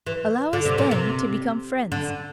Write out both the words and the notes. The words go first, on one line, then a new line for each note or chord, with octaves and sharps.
Allow us, then, to become friends.
E3
D3
C3
A#2
C3
D3